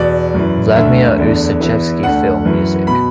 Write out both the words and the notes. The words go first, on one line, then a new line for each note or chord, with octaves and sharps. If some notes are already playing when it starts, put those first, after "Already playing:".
"Vladimir Ussachevsky: Film Music".
Already playing: E2 B2 D5
F#2 E3
D2 D3 E5
E2 D3
E2 E3
D2 D3 F#5
F#2 E3
B2 B5